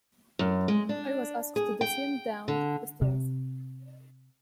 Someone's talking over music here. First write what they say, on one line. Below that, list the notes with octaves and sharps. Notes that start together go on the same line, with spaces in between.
I was asked to descend down the stairs.
F#2
G#3
D4
G#4
G5
D3
C3